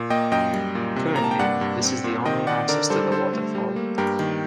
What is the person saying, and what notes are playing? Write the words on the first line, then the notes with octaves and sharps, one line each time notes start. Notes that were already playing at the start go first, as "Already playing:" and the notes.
Currently this is the only access to the Waterfall.
Already playing: A#2
A#3 D#5 G5
F#2 D#5 G5
G3
A#2
C3
A#3 A#5
A5
G5
G2 D5 F#5
G2
C4
A#2
D#3 D#5 G5
D#3 D5 F#5
D3 A#4 D5
G3 A4 C5
D3 A4 C5
A3
G3
A#3
G2 G4 A#4
D#3